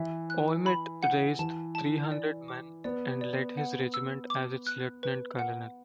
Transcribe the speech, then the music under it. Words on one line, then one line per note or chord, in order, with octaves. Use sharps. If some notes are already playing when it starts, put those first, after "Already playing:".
Ouimet raised three hundred men, and led his regiment as its Lieutenant-Colonel.
Already playing: E3 E5
F#6
B5
F#5
E3 A5
A5
D5
D6
B3 D5
D5
F#5
E6
D6
F#6
B4
F#5